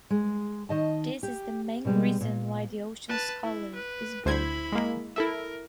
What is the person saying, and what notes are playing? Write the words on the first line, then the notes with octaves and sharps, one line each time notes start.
This is the main reason why the ocean's color is blue.
G#3
D#3 D#5 A5
G4
B2 G3 G#3
A#2
B4 A5
E4
B4
D2 E4 C5 B5 G#6
G#3 A#3
E4 A4 A#4 E5